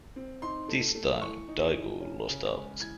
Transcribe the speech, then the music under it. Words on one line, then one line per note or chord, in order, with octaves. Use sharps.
This time, Daegu lost out.
C4
D#4 C6
A3
A3
E3 C#6
D#4
E3
C#4
C#3
G#3
E3 G#6